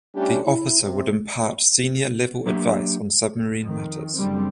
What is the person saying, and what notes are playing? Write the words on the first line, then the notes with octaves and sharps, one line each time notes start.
The officer would impart senior level advice on submarine matters.
A2 G3 A3 C#4 D4 G4
E4
C3
F#3 A#3 D4 G4 E5
F2 D#3
F#1 D3 G3 C4